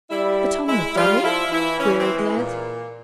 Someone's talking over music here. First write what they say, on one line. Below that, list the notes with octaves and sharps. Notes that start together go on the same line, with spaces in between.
"But on the dummy!" queried Ned.
G3 E4
G#3 E4
G3 F4
F3 E4
E3 E4
C#4
C4
G#3
A#2